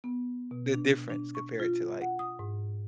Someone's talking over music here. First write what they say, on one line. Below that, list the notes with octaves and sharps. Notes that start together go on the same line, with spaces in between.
the difference compared to like
B3
B2
D4
D4
C#6
F4
F#5
D#6
G#2